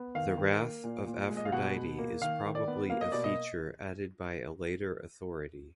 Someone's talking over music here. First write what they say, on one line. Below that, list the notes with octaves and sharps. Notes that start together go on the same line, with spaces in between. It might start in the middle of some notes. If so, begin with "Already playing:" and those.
The wrath of Aphrodite is probably a feature added by a later authority.
Already playing: B3
D#3 F5
D#3
A#3
A#2
A#2
G#3
D#5
F5
B2 F#5
B2
A#3
D#3 F5
D#3
D5
B3
A#3 F5
D#5
B2 D5
D#5